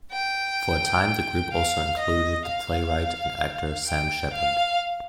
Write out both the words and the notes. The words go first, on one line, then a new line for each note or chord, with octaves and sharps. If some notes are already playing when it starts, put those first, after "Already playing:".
For a time the group also included the playwright and actor Sam Shepard.
G5
F5
D#5
F5
G5
F5